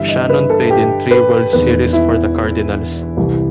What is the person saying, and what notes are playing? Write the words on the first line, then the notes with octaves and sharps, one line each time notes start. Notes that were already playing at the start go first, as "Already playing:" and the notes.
Shannon played in three World Series for the Cardinals.
Already playing: G1 G2 E3 E5
D#5
B4
A4
G4
B4
E1 E2 D#3 B4
E4
C2 C3 E3